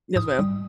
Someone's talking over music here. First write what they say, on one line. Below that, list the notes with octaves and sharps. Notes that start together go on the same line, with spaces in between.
Yes, ma'am.
G#2 D#6
G3